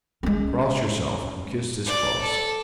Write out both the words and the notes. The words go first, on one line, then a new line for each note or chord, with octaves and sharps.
Cross yourself and kiss this cross.
G#3 C#4
D5
A4